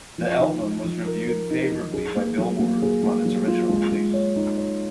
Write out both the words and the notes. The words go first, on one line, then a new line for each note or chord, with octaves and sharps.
The album was reviewed favorably by "Billboard" upon its original release.
F3
D#4
D#4
F3
A#4
A#4
D#4
D#4
G#4
A#3
F#3
A#3
G#4
A#3
F#3
F4
G#3
G#3
C#5
D#4
C#5